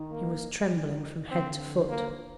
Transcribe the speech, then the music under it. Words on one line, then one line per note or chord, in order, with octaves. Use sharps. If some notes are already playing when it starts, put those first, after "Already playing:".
He was trembling from head to foot.
Already playing: D#3
A#3
D#3
D3 C4
A#3